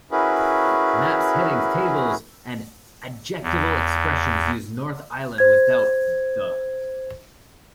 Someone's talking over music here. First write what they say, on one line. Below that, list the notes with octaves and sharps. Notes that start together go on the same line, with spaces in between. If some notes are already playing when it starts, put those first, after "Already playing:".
Maps, headings, tables and adjectival expressions use North Island without "the".
C#4 E4 F#4 G#4 A#4 B4
E2
C5 G#6